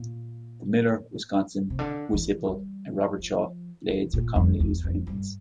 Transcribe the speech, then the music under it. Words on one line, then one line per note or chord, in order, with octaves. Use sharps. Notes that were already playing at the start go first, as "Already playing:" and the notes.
The Miller, Wisconsin, Wis-Hipple, and Robertshaw blades are commonly used for infants.
Already playing: A#2
C3
D3
E3
G3
F3
E3
A#2
F2
E2
F2
G2